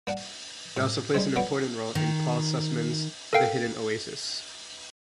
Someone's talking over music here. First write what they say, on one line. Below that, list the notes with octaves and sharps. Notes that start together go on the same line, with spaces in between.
It also plays an important role in Paul Sussman's "The Hidden Oasis".
A#3 D4 F#5
A2
G3 G#3 C4
D3 F#3 B3 D6
D#3
A4 A#4 F5 G5